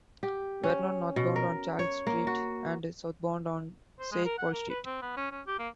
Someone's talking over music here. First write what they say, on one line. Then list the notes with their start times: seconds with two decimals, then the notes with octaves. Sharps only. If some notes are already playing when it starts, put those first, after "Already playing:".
Vernon northbound on Charles Street and southbound on Saint Paul Street.
0.23 G4
0.64 C#4
1.16 B2
1.36 A#4
1.79 C#5
2.07 A#3
2.27 F#4
3.99 C5
4.12 G#3
4.25 A#4
4.38 F#5
4.53 A#4
4.70 B4
4.86 C4
5.02 B3
5.17 C#4
5.32 C#4
5.47 G4
5.59 A#3